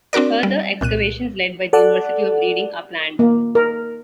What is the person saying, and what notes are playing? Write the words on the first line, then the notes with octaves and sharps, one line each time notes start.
Further excavations led by the University of Reading are planned.
C4 D4 F#4 A#4 D5
G3
C2 A#2 F#6 D#7
A4 D5 F#5
A#3
A#4